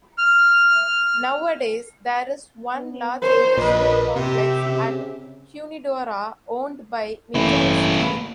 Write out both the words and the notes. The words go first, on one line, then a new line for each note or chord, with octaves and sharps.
Nowadays, there is one large industrial complex at Hunedoara owned by Mittal Steel.
F6
B3
A#4 C5 C#5
A#1 A#2 B4 D#5
C3 G4 E5
C#3 C4
A1 A#3 E4